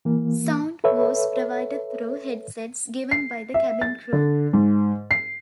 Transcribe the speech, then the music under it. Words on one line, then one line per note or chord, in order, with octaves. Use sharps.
Sound was provided through headsets given by the cabin crew.
E3 A#3
A4 B4 C#5 E5
C7
E5
A6
D3
G#2
C7